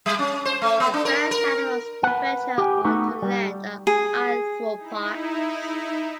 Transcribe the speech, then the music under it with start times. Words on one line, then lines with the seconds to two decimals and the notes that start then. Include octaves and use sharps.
The first animals to venture onto land are arthropods.
0.06 G3
0.19 C#4
0.45 C5
0.62 A3
0.80 B3
0.94 D4
1.05 A#4
1.31 A#4
2.03 B4 F#5
2.58 G4 G5 G#5
2.84 A3 B3 D#4 F#4 A4 B4
3.22 G3
3.87 G#4
4.77 D#4 E4